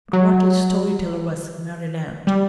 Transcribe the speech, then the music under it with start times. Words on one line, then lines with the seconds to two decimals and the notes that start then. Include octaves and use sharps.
But what a story-teller was Mary Lant!
0.13 F#3
2.27 G3